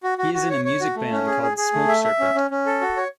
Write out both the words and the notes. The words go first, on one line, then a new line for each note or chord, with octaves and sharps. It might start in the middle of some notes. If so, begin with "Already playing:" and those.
He is in a music band called "Smoke Serpent".
F#4
F#4
F#4
C#5
C#5
F#4
A3
C#4
G#4
G#4
G#4
A3
E5
E5
C#4
C#4
C#4
A4
F#4
C#5